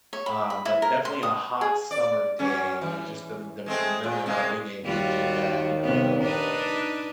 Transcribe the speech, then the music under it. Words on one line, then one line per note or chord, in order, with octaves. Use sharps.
um, but definitely a hot summer day, you know, just the m the memory of being able to do that, you know, will
C#5
B5
B5
E4
A#4
C6
D#6
G#4
D5
F#3 C#4
E3
G#3 A3 C4
A#2
C3 G#3 A#3
D#2 D#3 G3 F4 F#4
C3 B3
D4 D#4 B4